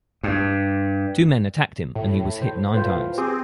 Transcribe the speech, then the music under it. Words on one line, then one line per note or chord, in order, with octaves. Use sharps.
Two men attacked him and he was hit nine times.
G2
A2
C5
A2 F4 B4 C5
C4 G4 G#4